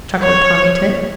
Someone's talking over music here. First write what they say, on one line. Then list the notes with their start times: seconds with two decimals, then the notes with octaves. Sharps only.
Chuckled Tommy Tit.
0.22 C#5